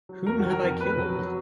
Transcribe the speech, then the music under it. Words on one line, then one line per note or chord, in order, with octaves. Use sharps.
Whom have I killed?
F#3
F2 A#4
F#4
D#3
A#4
F2
F2 B4
F#3
F#3